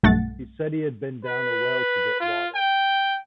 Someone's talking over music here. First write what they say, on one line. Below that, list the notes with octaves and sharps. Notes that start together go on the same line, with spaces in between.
He said he had been down a well to get water.
B1 G2 A3 F#5 A6
B4
F4
G5